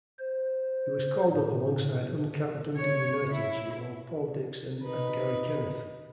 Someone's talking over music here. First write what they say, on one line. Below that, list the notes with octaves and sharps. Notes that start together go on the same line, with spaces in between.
He was called up alongside uncapped Dundee United duo Paul Dixon and Garry Kenneth.
C5
A2
C#5
E4
D#4 B4